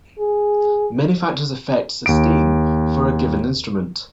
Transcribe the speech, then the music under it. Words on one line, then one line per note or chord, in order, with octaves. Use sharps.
Many factors affect sustain for a given instrument.
G#4
D#2 D7